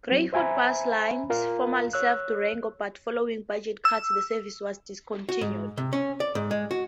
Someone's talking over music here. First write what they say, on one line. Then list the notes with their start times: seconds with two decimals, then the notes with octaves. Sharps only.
Greyhound Bus Lines formerly served Durango, but following budget cuts the service was discontinued.
0.09 F#3 C4
0.33 C5 E5 G#5 A#5 B5
1.30 F4 A#4 F5
1.93 C#5 E6 F#6
3.85 E6
5.29 F#4
5.41 G#2
5.78 C3
5.93 C#4
6.20 D5
6.35 G#2
6.51 G#3
6.71 F#4